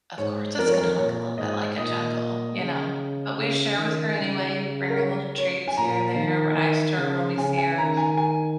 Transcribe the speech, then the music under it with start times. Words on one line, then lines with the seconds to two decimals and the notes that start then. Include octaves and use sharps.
Of course, it's gonna look a little bit like a jungle, you know? But we share with her anyway. We bring her little treats here and there. We're nice to her when we see her.
0.18 G#2 C#5
0.59 F2 A#4
0.69 C#5
0.78 A#4
0.98 A#2 C#5
1.38 G#2 D#5
1.78 A#2 D#5
2.59 C#3
3.38 C#3
3.78 D#3
4.19 C#3
4.90 A#4
4.98 C#5
5.38 C#5
5.68 G#5
5.77 A#2 A#5
6.17 D#3
6.57 D#3
6.97 C#3
7.37 C#3 G#5
7.58 G#5
7.78 D#3 A#5
7.97 G#5
8.17 G#5